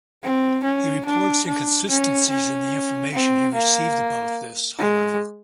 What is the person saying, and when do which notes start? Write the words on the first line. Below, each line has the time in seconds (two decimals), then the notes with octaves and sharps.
He reports inconsistencies in the information he received about this, however.
0.23 C4
0.64 C#4
1.06 D4
1.47 D4
1.89 C#4
2.30 C#4
3.13 C4
3.54 A#3
4.78 G#3